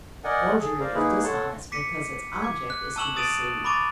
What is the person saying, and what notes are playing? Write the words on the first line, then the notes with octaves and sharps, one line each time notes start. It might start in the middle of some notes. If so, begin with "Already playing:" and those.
Forgery is dishonest because its object is to deceive.
A#4 D5 D#5 F#5 G#5
G#4 A4
A#4 C5 D5 F5 A#5
A#3 D#4 E4 G#4 B4
A4 C#5 F#5 A5 C6
D6 B6 C#7 D#7
D6 G#6
F#6
A5 C#6 E6 E7 F#7 G7
D#6 A6 D7 D#7 F7
B5 C#6 D6 A6 D#7